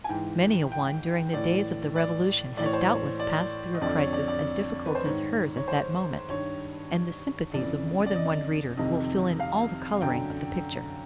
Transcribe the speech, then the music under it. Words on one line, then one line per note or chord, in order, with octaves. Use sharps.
Many a one during the days of the Revolution has doubtless passed through a crisis as difficult as hers at that moment, and the sympathies of more than one reader will fill in all the coloring of the picture.
G#5
G#2 E3 G5
G5
A2 E3 D5
D5
A2 E3 D5
C#5
C5
C#5
D5
D#5
F2 D3 D5
C#5
D5
D5
B4
C5
G#2 D#3 C#5
C#5
C5
G2 D#3 C#5
F2 C#3 E3 D5
D5
D#5
F2 C3 D#3 D#5
F5
F#2 D3 G5